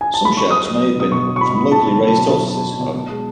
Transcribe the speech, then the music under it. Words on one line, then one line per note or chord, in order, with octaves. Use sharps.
Some shells may have been from locally raised tortoises, however.
G#5
A5
B5
C#6
F#3 D#6
F#3
F#3
B2 D#6
B2 C#6
F#3
C#6
B2 B5
B2
B2 A5
F#3
F#3
B2
F#3
F#3
F#3
B2
B2
G#3